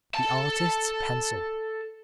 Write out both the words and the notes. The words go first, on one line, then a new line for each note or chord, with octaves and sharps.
The artist's pencil!
A4 A5